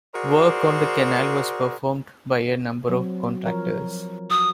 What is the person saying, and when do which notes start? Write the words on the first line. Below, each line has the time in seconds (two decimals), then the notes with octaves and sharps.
Work on the canal was performed by a number of contractors.
0.14 F#4 G#4 A#4 C5 D5
2.89 F#3 C4
3.46 F3 A#4 C#5
4.30 F#4 D#6